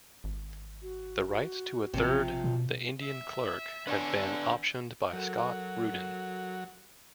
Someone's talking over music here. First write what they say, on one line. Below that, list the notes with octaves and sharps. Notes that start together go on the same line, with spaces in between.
The rights to a third, "The Indian Clerk", have been optioned by Scott Rudin.
G#1
F#4
A1 C3 F3
B2 F4
E5
D3 B4 C#5 D5 G#5
F#3 F#4 A4 A#4